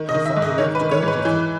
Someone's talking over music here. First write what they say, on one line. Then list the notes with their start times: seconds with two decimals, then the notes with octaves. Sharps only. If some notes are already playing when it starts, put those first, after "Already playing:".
"How far do we have to go do you think?"
Already playing: D#3
0.09 D#5
0.14 D#3
0.25 E5
0.37 G#2
0.42 D#5
0.58 D#3 C#5
0.75 B4
0.81 D#3
0.91 C#5
1.03 G#2 B4
1.25 E3